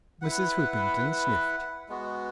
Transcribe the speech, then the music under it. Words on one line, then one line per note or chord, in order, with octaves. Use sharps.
Mrs. Hoopington sniffed.
E4 B4 F#5
G#3 B3 F#4